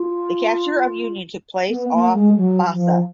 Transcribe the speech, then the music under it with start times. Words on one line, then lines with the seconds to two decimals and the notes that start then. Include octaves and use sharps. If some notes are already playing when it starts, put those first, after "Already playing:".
The capture of "Union" took place off Bassa.
Already playing: F4
1.69 B3
1.92 A#3
2.14 G#3
2.37 F#3
2.71 F3